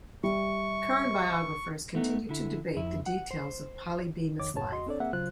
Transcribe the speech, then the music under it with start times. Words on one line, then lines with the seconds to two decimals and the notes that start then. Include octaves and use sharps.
Current biographers continue to debate the details of Polly Bemis' life.
0.23 G3 E5 C#6
1.95 A3 B3 D#4
2.29 D3 E4
2.76 F2 E4
3.06 F#5
3.31 C5
4.40 F2 D#3 C#5 D6
4.54 C#2 F#2 A2 C#5 A5
4.72 E2 F#4 D#5 C6
4.87 C4 D4 A4 C#5 D5
5.00 A#3 C4 G#4 E5 F#5
5.13 C#3 F#3 F4 C5 F#6